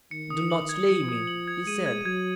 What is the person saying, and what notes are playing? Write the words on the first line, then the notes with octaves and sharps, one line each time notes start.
"Do not slay me," he said.
D#3 C#7
D#6
F#7
G#6
F3 C#7
D#6
F#7
G#6
G#3 D#7
G#6
F#3 G#6